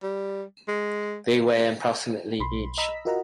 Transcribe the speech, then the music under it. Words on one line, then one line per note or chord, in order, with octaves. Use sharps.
They weigh approximately each.
G3
G#3
B1 B5 C6
D#5 A#5 B5 E6 B6
F4 F#4 A#4 D#5 F#5 A#5